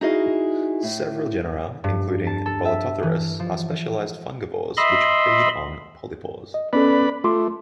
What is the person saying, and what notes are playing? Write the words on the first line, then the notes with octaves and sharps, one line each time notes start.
Several genera, including "Bolitotherus", are specialized fungivores which feed on polypores.
D#4 E4 F#4 G#4 D#5 F5
A2
G2
A5
A4
E5
E3
F3
D#5 E5 B5 C6
D#5
B3 C#4 A4 B4 D5 B5
A3 F4 C6 D6